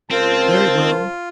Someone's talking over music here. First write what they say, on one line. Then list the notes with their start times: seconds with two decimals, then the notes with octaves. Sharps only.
"Very well."
0.11 C#2 C4 F4 A#4 C5 A5